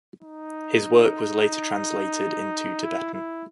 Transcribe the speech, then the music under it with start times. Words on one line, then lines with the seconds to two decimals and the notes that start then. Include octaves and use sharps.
His work was later translated into Tibetan.
0.23 D#4
2.84 E4
3.14 E4